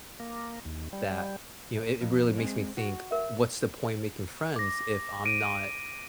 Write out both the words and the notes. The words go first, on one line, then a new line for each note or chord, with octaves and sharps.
that, you know, it it really makes me think what's the point in making friends if I'm not
A#3
D#2
G3
F2
G#3 C4
F#4
A#4 E5
D6 A#6
D7 D#7